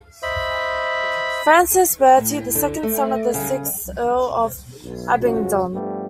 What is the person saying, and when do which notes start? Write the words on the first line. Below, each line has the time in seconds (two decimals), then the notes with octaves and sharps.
Francis Bertie, the second son of the sixth Earl of Abingdon.
0.22 C5 D#5 E5 B5
2.17 A2
2.55 D3
2.83 A3
3.34 C#3
4.82 B1
5.19 C#2 C#3 F3 F#4
5.73 G2 F3 G3 A3 B3